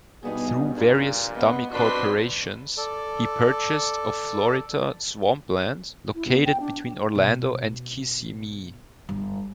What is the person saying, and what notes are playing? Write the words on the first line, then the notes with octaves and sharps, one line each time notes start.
Through various dummy corporations, he purchased of Florida swampland located between Orlando and Kissimmee.
G2 B2 B3 D#4 G#4
A#2 D4 G#4
B3 D#5 F#5
C4 D4 F#4 B4 C6 B6
A4 D5
E4
B3
G5
D4
B2
G1